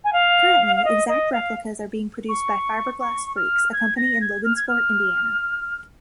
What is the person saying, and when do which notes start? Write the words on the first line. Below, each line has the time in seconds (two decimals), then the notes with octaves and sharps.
Currently, exact replicas are being produced by Fiberglass Freaks, a company in Logansport, Indiana.
0.04 G#5
0.13 F5
0.76 F5
0.85 D#5
1.08 D#5
1.33 F5
2.29 C#6
3.00 C#6
3.36 F6
3.73 G#6
3.97 A#6
4.21 G#6
4.44 F6
4.56 G#6
4.69 F6